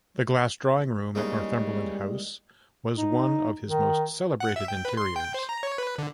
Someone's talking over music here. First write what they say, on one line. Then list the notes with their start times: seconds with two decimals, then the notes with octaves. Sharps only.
The Glass Drawing Room at Northumberland House was one of his most celebrated interiors.
1.15 E2 C#3 G3 G#3 A#3 D#4 D#5
2.98 D#4
3.67 D#3
4.40 F#5
4.56 E5
4.68 G5
4.85 B4
4.97 C6
5.16 G5
5.34 C5
5.49 A#5
5.63 C#5
5.78 B4
5.98 D3